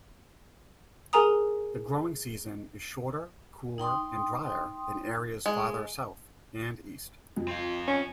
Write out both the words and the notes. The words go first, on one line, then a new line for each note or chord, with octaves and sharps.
The growing season is shorter, cooler, and drier than areas farther south and east.
G#4 A#4 G#5 A#5 D#6
D#4 G5 C6 D#6
G#3
F2
C4 F5
C#4